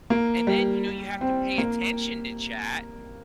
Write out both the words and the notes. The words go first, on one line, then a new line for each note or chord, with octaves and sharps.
and then, you know, you have to pay attention to chat,
A#3
G3
C4
A#3